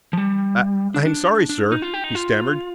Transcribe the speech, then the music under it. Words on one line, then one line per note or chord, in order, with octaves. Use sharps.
"I--I'm sorry, sir," he stammered.
F3
G3
D4
D4
D4
D#4
F4
G4
D#4
F4